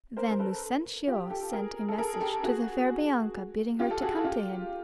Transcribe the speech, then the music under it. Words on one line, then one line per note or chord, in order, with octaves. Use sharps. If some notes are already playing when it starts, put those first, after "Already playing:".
Then Lucentio sent a message to the fair Bianca bidding her to come to him.
A#4 C5
A#4
A4 B4
F4 G4
G4 A4
G#4 A#4
A4
G#4 A#4
G#4
G4 A4
F#4 G#4
F4 G4
A4
F#4 G#4
F4 G4